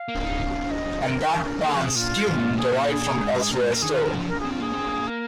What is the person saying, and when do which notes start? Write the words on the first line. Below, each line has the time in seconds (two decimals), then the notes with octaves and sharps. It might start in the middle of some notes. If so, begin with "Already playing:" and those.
And that band's tunes derive from elsewhere still.
Already playing: F5
0.08 A#3
0.25 D#4
0.71 D#5
1.02 A#4
1.64 A#3 G#4
1.75 F3 F4
1.85 C3 G#4
1.95 A#2 F4
2.26 G#2
2.36 A#2
2.42 G#2
2.58 A#2 G#4
2.73 A#2 F4
2.89 G#4
3.10 A#2
3.20 G#2
3.32 G#2 F4
3.41 G#4
3.51 A#2 A#4
3.62 G#2 C5
3.72 A#2 A#4
3.82 D#3 G#4
3.92 F4
4.03 A#4
4.13 F3
4.29 A#4
4.40 C4 G#4
4.51 F4
4.60 A#3 G#4
4.73 C4
4.87 A#3
5.07 A#4